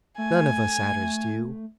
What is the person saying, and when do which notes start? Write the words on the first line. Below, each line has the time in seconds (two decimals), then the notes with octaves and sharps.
None of us Adders do.
0.18 A3 G#5